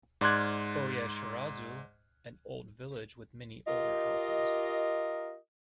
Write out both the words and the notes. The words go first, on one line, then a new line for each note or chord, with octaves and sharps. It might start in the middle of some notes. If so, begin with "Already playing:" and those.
Oyashirazu - An old village with many older houses.
G#2 D5 C6 F6 F#6 G#6
F4 G4 A#4 D#5